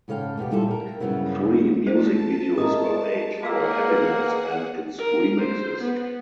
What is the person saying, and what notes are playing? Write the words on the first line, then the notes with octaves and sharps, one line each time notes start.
Three music videos were made for "Happiness" and its remixes.
G#2 C#3 A4 F5 G5
D#2 B2 B3 G4
A#2 F3 G3 E4 F4 A4
G4 A#4
G2 C#3 F#3 A#3 B3 E4
C5 A5
G#3 A3 A#4 D#6
A#3 F#4 G#4 F5 F#5 E6
B4
A#4
C5
B3